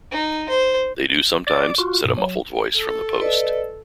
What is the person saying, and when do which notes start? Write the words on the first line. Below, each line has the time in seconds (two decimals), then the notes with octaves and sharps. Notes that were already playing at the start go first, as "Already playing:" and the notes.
"They do sometimes," said a muffled voice from the post.
0.12 D#4
0.49 C5
1.47 D5 D6
1.78 F4 F#4
2.04 G2 B2
2.18 F#3
2.76 A4
3.21 B4 D5 D#5